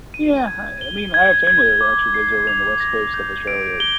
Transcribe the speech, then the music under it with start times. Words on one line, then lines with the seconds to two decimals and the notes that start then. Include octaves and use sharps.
Yeah, I I mean, I have family that actually lives over on the west coast of Australia.
0.14 D#7
0.47 G#6
0.81 G7
1.14 G#6
1.47 G#6
1.81 D6
2.14 C7
2.47 F7
2.80 A#6
3.14 G6
3.47 D7
3.80 G7